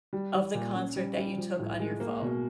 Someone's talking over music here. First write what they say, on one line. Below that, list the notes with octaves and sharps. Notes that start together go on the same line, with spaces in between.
of the concert that you took on your phone?
G3
G3
A#2
C#4
G3
G3
F3
A2
G#3
A#3
B2